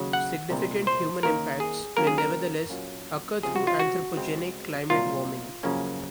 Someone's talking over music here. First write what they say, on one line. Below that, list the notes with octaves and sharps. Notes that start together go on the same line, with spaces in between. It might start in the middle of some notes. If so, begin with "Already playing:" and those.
Significant human impacts may nevertheless occur through anthropogenic climate warming.
Already playing: D#2 C#3 F#3
F#5
C2 A#2 G#3 C4
C5
D#2 D#3 A#3 C#4 A#4
G#4
C#2 C#3 F#3 A#3 C#4 A#4
G#4
A#4
A#2 F#3 A#3 C#4
C#2 C3 F3 G#3 C4 G#4
F#4
F4
F#4
C#2 C#3 G#3 C4
C2 A#2 F#3 F4
F#2 C#3 F3 A#3 C#4